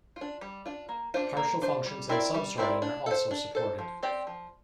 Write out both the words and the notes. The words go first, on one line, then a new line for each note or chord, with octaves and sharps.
Partial functions and subsorting are also supported.
F4
D4
G3
D4 F4
A#3
D4 F4 C5
A#3
D4 F4 C5
G3
C4 E4 A#4 D5
G3
C4 E4 A#4 D5
D4
A4 C5
D4
A4 C5
F3
C4 G4 D5
F3